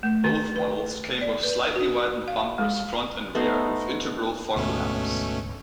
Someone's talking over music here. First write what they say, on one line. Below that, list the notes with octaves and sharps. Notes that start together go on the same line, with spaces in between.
Both models came with slightly widened bumpers front and rear with integral fog lamps.
A3
D#3
B4
D5
B4
F#4
F5
G#3
A3 B3 D#4 C5
D2 G#2 B2 A3 C#4